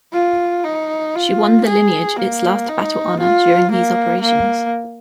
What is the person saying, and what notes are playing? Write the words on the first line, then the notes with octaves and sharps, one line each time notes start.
She won the lineage its last battle honour during these operations.
F4
D#4
F4
G#4
A#3
D#4
F4
A#3
A#3